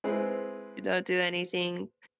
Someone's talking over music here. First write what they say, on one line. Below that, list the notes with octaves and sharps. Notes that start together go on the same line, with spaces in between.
don't do anything."
G#3 C4 E4 B4